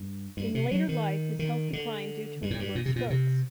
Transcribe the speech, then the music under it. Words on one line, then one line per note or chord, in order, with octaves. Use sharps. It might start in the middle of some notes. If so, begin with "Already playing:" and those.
In later life, his health declined due to a number of strokes.
Already playing: G2
G2
C3
F#3
D#3
D#3
D3
G2
A2
G2
A#2
C3
A#2
C3